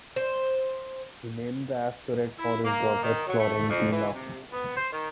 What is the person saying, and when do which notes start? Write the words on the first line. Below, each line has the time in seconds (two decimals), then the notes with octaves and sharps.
He named the asteroid for his daughter, Florentina.
0.16 C5
2.38 E4
2.65 A#3
3.03 D#3
3.27 F#3
3.39 A3
3.69 F2
3.90 E3
4.12 C3
4.52 B3
4.76 C5
4.92 D#3